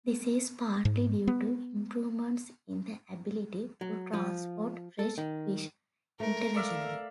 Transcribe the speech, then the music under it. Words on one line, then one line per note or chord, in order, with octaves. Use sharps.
This is partly due to improvements in the ability to transport fresh fish internationally.
G#2
B3
F#3
F3
A4
D#3
A3 A#4
D5 E5 F5